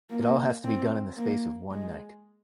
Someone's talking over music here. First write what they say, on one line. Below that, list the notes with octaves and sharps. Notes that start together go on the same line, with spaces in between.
It all has to be done in the space of one night.
A#3
C4
A#3
G#3